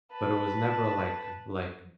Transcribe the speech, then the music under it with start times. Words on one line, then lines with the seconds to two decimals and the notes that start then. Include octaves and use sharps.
but it was never, like uh, like,
0.11 B4 A5